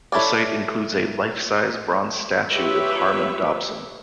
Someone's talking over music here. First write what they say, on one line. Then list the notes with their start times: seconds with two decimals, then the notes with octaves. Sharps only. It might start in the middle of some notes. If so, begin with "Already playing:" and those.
The site includes a life-size bronze statue of Harmon Dobson.
0.12 E4 A4 C#5 D5
2.50 F4 G4 B4 C#5 E5